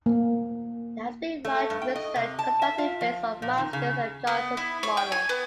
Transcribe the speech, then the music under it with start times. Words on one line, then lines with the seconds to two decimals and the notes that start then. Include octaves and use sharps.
There has been much research conducted based on Masters and Johnson's model.
0.06 A#3
1.45 A3
1.70 G2
1.82 G5
1.96 D#5
2.16 C3
2.39 A5
2.62 E5
2.78 F4
3.01 F3
3.42 A#2
3.58 D#3
3.73 C#3
4.27 B3
4.57 E4
4.83 C#5
4.97 G5
5.12 G#5
5.29 B3